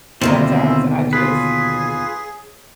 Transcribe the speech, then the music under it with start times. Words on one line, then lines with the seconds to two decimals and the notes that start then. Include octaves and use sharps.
sometimes I just
0.21 D#2 B2 D3 C4 E4 F4 C5 A#5
1.13 F4 G#4 B4